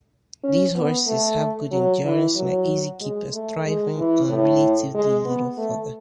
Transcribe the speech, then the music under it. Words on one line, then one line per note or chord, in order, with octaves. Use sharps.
These horses have good endurance and are easy keepers, thriving on relatively little fodder.
C#4
B3
A3
F#3
E3
F#3
G#3
A3
G#3
E3
A2
G#3
B3
A3